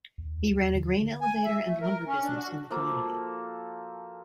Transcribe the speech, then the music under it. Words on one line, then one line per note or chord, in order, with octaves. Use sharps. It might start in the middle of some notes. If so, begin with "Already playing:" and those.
He ran a grain elevator and lumber business in the community.
D#2
D#2
D3
G#5
E5
A3
A#4
C#4
D4
F#4
F3 A#3 F#4 A4